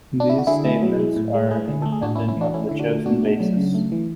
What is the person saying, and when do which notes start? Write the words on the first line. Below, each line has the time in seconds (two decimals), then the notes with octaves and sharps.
These statements are independent of the chosen basis.
0.20 D4
0.30 E4
0.38 F#4
0.47 D3 E4 G#4
0.65 A3
0.82 F#3
0.99 G#3
1.16 A2
1.34 G#3
1.51 A3 E4 G#4
1.68 D3
1.82 A3 A4
1.92 G#4
2.02 A2 D4 F#4
2.15 C#4 E4
2.20 A3
2.28 C#4 E4
2.37 E3 D4 F#4
2.54 A3 C#4 E4
2.69 D3 E4
2.79 D4 F#4
2.89 A3
3.06 B2 D4 F#4
3.23 A3
3.40 F#3
3.57 C#3
3.75 A3
3.92 E3